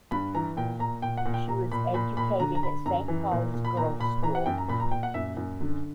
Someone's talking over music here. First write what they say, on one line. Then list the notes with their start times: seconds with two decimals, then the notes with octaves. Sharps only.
She was educated at Saint Paul's Girls' School.
0.11 G2 B5
0.35 E3 A#5
0.57 A#2 G5
0.80 A#2 A#5
1.02 A#2 G5
1.17 F#5
1.26 A#2
1.34 G5
1.48 A#2 A#5
1.72 A#2 B5
1.94 A#2 B5
2.17 A#2 B5
2.40 D3 A#5
2.55 A#5
2.63 D3 B5
2.86 F#2 A#5
3.08 E3
3.32 A#2
3.54 A#2
3.65 B5
3.77 A#2 A#5
4.00 A#2 B5
4.23 E3 A#5
4.35 F#5
4.46 F#2 G5
4.58 A#5
4.69 A#2 B5
4.80 A#5
4.91 A#2 G5
5.03 F#5
5.14 F#2 E5
5.37 F#2
5.61 D3